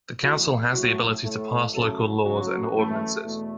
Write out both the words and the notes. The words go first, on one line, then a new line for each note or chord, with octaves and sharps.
The Council has the ability to pass local laws and ordinances.
E2 E3 A3 F#4
A2 F#3 A3 F#4
A2 A3
F#2 C#3 F#3 A3 A4
F#2 C#3 F#3 F#4
F#2 E3 A3
E2 B2 A3